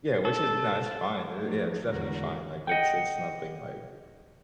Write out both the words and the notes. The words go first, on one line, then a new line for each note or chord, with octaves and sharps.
Yeah, which is nah, it's fine, i yeah, it's definitely fine, like, it's it's nothing, like,
A4
F3 A3 D#4
E2 G#2 D3 F#4 A#4
D#5 F#5 G5